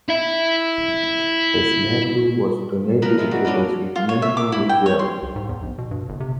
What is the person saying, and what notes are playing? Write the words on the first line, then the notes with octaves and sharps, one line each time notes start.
His medal was donated to his regimental museum.
E4 E5
F3 A#4 B4
G#3 E4 F4
G3 F#4
G3 A#3 C#4 D4
F4
C#5
E5
D6
E4
G5
C#5
C6
C2
G#2
E2
A#1
B2
G2
G1
C3